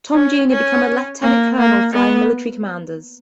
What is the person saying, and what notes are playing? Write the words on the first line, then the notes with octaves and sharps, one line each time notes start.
Tom Junior became a Lieutenant Colonel flying military commanders.
C#4
C#4
A#3
A#3
B3